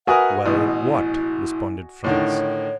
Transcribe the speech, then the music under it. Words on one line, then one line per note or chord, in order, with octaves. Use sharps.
"Well--what?" responded Franz.
F#4 A#4 B4 E5 F#5 G#5 D#6
A1 B2 E4
A2 D3 D#3 C#5